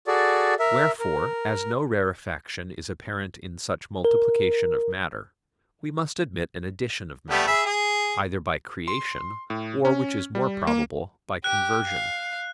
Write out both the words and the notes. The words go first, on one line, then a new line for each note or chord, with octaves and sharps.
Wherefore, as no rarefaction is apparent in such multiplication of matter, we must admit an addition of matter: either by creation, or which is more probable, by conversion.
F#4 G#4 A4 D5
A#4 E5
A#4
A#4
G3 A3 B3
G#4 E5 B5
G#4
C6
A2
C#4
G3
A#3
G4 F#6
F5